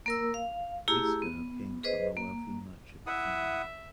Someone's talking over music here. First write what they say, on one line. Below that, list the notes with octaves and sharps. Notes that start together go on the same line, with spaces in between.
Riesco came from a wealthy merchant family.
A#3 A#4 E6
F5
A3 E4 G4 G#4 A#5 E6
B3
G#4 B4 C5 D#5
A#3
E4 E5 F#5 D#6